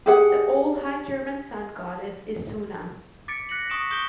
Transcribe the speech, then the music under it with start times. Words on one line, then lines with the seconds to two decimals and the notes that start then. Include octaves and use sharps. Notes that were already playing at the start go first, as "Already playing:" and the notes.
The Old High German Sun goddess is Sunna.
0.06 G4 G#4 F#5
3.28 D6 A6 B6 C#7 D7
3.49 F#6 A#6 B6 C#7 D7 F#7
3.70 C#6 D#6 A#6 B6 D7 E7
3.90 C#6 D#6 G6 B6 D7 G7